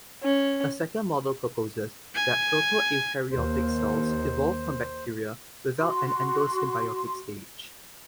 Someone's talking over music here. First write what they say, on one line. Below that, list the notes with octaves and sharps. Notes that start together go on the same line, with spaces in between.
A second model proposes that proto-eukaryotic cells evolved from bacteria without an endosymbiotic stage.
C#4
G#5
D#2 C5
F#4 C6